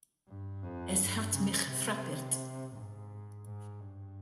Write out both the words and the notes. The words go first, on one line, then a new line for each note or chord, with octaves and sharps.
Es hat mich frappirt.
G2
F2
G2
C#3
C3
G#2
G#2
G2